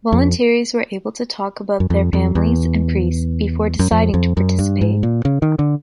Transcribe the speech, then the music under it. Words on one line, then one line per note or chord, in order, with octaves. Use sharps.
Voluntaries were able to talk about with their families and priests before deciding to participate.
F2
F#2
F2
F2
E2
F#2
F2
F2
F#2
G2
G#2
A#2
C#3
D#3
D3